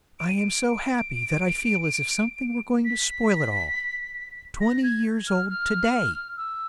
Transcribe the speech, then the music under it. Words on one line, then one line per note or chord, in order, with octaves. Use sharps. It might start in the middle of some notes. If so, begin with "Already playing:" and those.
I am so happy that I feel as if something were going to spoil it all. Twenty years old to-day!
D7
D#7
D7
B6
A#6
G#6
F6
F6
E6